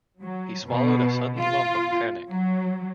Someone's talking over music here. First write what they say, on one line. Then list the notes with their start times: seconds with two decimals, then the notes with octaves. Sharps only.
He swallowed a sudden lump of panic.
0.20 F#3
0.65 B2
1.40 F4
2.29 F#3